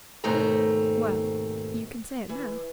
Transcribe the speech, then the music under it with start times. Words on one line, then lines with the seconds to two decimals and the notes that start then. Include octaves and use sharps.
"Well;--you can say it now."
0.24 D#2 G#2 B2 A3 C4 A#5
2.29 E3